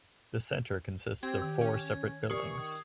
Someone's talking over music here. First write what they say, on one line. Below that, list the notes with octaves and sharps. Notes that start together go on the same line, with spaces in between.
The centre consists of four separate buildings.
C4 G4 G#6
D#3
C#4
E3 G4 A#4 D5 C#6 D#6 C7
D#3